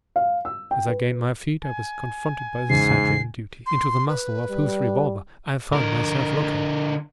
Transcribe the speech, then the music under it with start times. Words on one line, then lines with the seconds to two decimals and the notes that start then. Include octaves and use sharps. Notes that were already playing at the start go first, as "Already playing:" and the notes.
As I gained my feet I was confronted by the sentry on duty, into the muzzle of whose revolver I found myself looking.
0.16 F5
0.45 E6
0.71 G5
0.87 B4
1.64 G#5
2.70 E2 G#2 C#3 C7
3.66 C6
4.08 B4
4.50 G3
5.73 D3 A#4